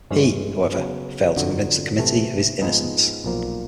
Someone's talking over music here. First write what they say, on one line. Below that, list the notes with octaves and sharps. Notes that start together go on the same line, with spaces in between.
He, however, failed to convince the committee of his innocence.
G2 E3 G#3 C#4
C#3 F#3 B3
F2 D3 F#3
C3 E3 A3
G#2 F3 G#3 B3 D#4
B1 A#2 F3 A#3